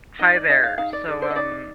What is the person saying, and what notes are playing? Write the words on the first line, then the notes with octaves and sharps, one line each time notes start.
Hi there. So, um,
D#4 D#5
D5
G#4 D#5
F5
D#4 F5
D5
G#4 D5
C5
D#5
D#4 D5